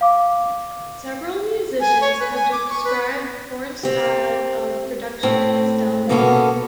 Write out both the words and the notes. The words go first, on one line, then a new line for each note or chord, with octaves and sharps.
Several musicians have described Horn's style of production as dominating.
F5 D6
G#5
C#5
B4
G#5
D6
C#6
B4
C4 G4
A2 C4
B2 A#3 B3 C#4 G#4 A4